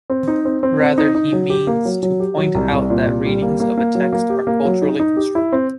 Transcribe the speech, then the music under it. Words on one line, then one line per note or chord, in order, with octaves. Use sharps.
Rather, he means to point out that readings of a text are culturally constructed.
C4
D#4
C4
C4
C4
D#4
D#4
F#3
G4
A#3
F#3
F#3
G4
F#3
C2
C2
A#2
C2
G3
A#3
A#3
A#3
F#3
A#3
G4
A#3
F#3
D#4
D#4
G4
E4
C4